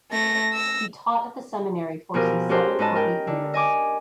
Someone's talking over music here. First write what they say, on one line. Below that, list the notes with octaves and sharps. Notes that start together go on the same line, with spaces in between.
He taught at the seminary for some seven or eight years.
A3 A#6
E6 A#6
B2 F3 G4 G#4 A#4
C#4 F#4 G4 A4 A#4 C5
G#2 D#4 B4 D#5 A5
A#4 G5
D3
D#5 G#5 D6